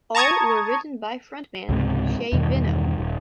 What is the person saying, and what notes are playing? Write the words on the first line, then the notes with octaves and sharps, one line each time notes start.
All were written by frontman Shay Veno.
A5 A#5 C#6 D#6 G#6
C#2 G#2 C3
E2 G2 B2 D#3
D#1